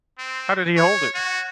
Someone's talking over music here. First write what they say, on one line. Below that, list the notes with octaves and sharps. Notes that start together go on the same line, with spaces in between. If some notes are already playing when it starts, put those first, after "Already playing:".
How did he hold it?
C4
C#5
F#4